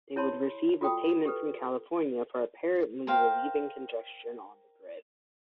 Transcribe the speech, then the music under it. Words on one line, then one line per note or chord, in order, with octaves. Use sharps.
They would receive a payment from California for apparently relieving congestion on the grid.
E4 C#5 A5 B5 C6
F4 F#4 A4 G5 B5 D#6
G4 A4 B4
A#4 C5 F5 G5